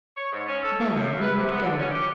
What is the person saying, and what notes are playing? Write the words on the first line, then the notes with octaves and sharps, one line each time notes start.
There we would go.
C#5
G#2
C#4
A4
E2
F#2
B4
C3
B3
D3
C#4
G4